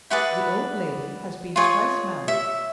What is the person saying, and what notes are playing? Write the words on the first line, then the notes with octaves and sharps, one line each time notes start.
The old lady has been twice married.
E4 G#4 B4 D5 F#5
F4 G#4 C#5
E5